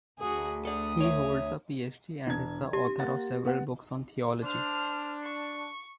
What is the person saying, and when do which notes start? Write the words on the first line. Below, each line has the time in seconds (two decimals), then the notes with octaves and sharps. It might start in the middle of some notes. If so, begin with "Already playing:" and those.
He holds a PhD and is the author of several books on theology.
0.19 D2 F#4 G#4
0.65 A4 D5 D#6
1.01 C#5 E5
2.27 E1 D4 G#6
2.73 G4 C6
2.99 A#3 F#5 A6
3.45 B3 F#5
4.43 D4 C5 F6
5.24 C#6